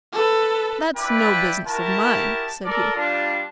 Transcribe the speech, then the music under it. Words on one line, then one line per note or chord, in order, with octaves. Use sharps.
"That's no business of mine," said he.
A4 B4
D4 E4 F4 B4 D5 G5
E4 F#4 G4 A#4 A5
A4 A#4 D5
G3 D4 F4